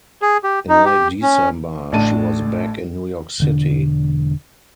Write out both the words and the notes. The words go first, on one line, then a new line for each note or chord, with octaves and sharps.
In late December, she was back in New York City.
G#4
G4
D#4
G4
C#4
A1 A2 D4 A5 D#7
E1 D3 D4